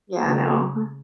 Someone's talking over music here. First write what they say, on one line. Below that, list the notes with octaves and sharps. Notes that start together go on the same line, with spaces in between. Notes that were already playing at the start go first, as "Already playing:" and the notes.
Yeah. I know, huh.
C#3